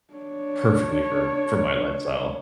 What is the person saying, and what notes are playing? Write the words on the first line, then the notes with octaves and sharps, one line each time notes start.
perfectly for for my lifestyle.
D4 C#5